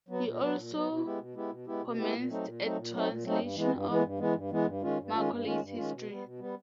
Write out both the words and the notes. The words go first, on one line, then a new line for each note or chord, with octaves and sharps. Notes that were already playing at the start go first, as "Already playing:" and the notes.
He also commenced a translation of Macaulay's "History".
F#3 B3
A#2
F#3 B3
A#2
F#3 B3
B2
G#3 B3 E4 G4
B2
G#3 B3 E4 G4
B2
G#3 B3 E4 G4
B2
G#3 B3 E4 G4
A#2
F#3 A3 C4 D#4
A#2
F#3 A3 C4 D#4
A#2
F#3 A3 C4 D#4
A#2
F#3 A3 C4 D#4
G2
E3 G#3 B3
G2
E3 G#3 B3
G2
E3 G#3 B3
G2
E3 G#3 B3
G2
D#3 G#3 C#4 F4
G2
D#3 G#3 C#4 F4
G2
D#3 G#3 C#4 F4
G2
D#3 G#3 C#4 F4
B2
G3 B3
B2
G3 B3